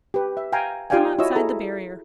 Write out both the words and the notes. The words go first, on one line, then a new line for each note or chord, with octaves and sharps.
Come outside the barrier.
G4 B4
E5
F5 G5 G#5 A#5
F4 G4 D5 F5 G5 G#5
E4 F#4 C#5 D#5 E6
E4 G#4 A4 A#5